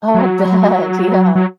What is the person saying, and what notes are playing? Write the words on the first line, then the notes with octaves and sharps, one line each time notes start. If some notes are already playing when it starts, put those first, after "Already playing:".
Oh, I bet, yeah.
F#3
F#3